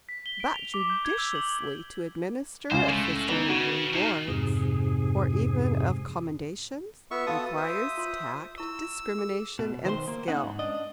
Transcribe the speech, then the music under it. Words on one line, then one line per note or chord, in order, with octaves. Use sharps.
But judiciously to administer a system of rewards, or even of commendations, requires tact, discrimination, and skill.
B6
G7
D7
F7
D6
G6
G#6
E6
F#7
C#2 C#4 C5
A2 A3
E3 B3 D#4
C#3 F#4
A#2 D#4
F2 G#2 C3 G#4
B3 F4 B4 E5 C#6
B3 F#4 A4 F5 D#6
C5 E5 D#6
F4 C6
E4 C#6 E6
G#4
B2
D#3 C5 D#5 C6
A#3
C#4 D#4 F#5
G#2
D4 D#5